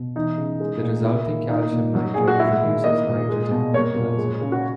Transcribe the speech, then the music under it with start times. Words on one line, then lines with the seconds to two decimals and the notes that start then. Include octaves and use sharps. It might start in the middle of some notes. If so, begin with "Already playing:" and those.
The resulting calcium nitrate produces nitrogen fertilizer.
Already playing: B2
0.16 E3 D#4
0.37 C#3
0.60 G#3
0.82 A#2
1.05 A#3 E4
1.27 D#3
1.49 A#3 D#4
1.72 A#2
1.95 F#3
2.14 A#2 G#4
2.27 F#4
2.39 G#3 E4
2.62 D#3
2.84 A#3 D#5
3.06 A#2
3.29 G#3
3.51 B2
3.73 A#3 C#5
3.96 A#2
4.18 G#3
4.41 C#3
4.52 F#4